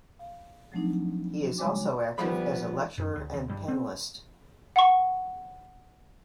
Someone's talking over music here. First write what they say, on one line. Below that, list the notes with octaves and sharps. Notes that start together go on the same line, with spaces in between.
He is also active as a lecturer and panelist.
F5
F3 F#3 A3 C4 D4 D#4
F#4
C#3 G3 G#3 C#5 G#5 D6
D2 F3 G3 B3 B5
F#2
D2
D2
G2
C4
F#5 C#6